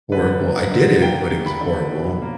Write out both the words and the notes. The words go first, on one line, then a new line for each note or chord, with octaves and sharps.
horrible. I did it, but it was horrible.
D3 B4
A#3
D3
A#3 G5
A#3
B5
D3
B2
A#3